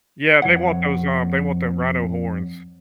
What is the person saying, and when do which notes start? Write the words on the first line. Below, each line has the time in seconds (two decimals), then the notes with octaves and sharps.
Yeah, they want those, um, they want the rhino horns.
0.42 F2 C#3 C#5 F#5